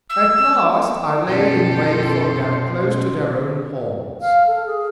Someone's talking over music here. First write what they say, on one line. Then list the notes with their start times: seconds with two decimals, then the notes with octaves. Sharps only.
At last I lay in wait for them close to their own haunts.
0.10 E6
1.28 F#2 B2 C#4 G4 A4 C6
4.21 F5
4.47 A4
4.66 G#4